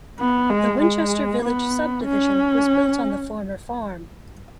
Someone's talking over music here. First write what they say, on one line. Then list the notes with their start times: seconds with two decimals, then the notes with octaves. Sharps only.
The Winchester Village subdivision was built on the former farm.
0.19 B3
0.50 G#3
0.81 G#3
1.43 B3
2.04 C#4